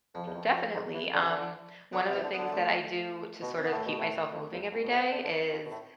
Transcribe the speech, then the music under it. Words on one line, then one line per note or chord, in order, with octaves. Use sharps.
Definitely, um, one of the things that I do to sort of keep myself moving every day is
F2 F3
E2
F2
F2
G#2
E3
D3
C3
D3
D3 B3
C3
E3 C4
D3
D3 B3
A3
B2
C4
B3
A2 A3
B2
A2
F2
E2
F2
B2
C3 C4
D3
D3
E3
F2
B2
A2